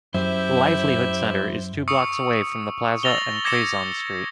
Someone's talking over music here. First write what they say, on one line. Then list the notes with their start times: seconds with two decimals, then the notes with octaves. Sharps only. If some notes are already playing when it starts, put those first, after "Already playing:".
The Livelihood Center is two blocks away from the Plaza and Quezon Street.
0.14 F#2 E4 G4 C5 E5
1.88 C#6 D#6 E6 C#7
3.03 E6 A6 A#6 F7 G7
3.44 D6 G#6 A#6 C#7 E7